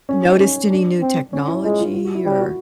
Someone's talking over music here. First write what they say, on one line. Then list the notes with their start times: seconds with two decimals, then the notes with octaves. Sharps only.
noticed any new technology or
0.09 C#4
0.25 D#4
0.40 C#4
0.70 D4
1.01 C4
1.33 C#4
1.48 E4
1.64 G#3 F4
1.79 F4
1.94 F4
2.05 F#4
2.15 E4
2.25 G3 E4
2.41 F#4